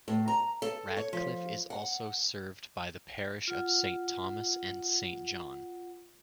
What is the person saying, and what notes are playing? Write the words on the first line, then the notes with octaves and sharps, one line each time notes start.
Radcliffe is also served by the Parish of Saint Thomas and Saint John.
A2
A#5
A4
C#5
F3
F#5
F4 F#5